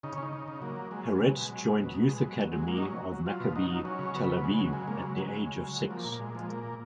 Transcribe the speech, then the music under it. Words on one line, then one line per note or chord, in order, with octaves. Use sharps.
Peretz joined youth academy of Maccabi Tel Aviv at the age of six.
C#3 D#4
C#4
C#3 D#4
C#3
C#3
F#3 A#3
F#3
F#3 G#3
C#3
F#3
B2
F#3
B2
B2 F#3
B2
B2 G#3
F#3
F#3
F#3 G#3
F#3 A#3
D#4
F#3 C#4
F#3
F#3
F#3 F4
B2
F#3 D#4
F#3
F#3 C#4
C#3
F#3 B3
C#3
F#3 G#3
F#3
C#3 G#3
C#3 A#3
G#3
F#3
F#3 G#3
C#3
C#3
F#3
F#3
F3 A#3
A#2
A#3
A#2 G#3
F3
A#2 A#3
A#2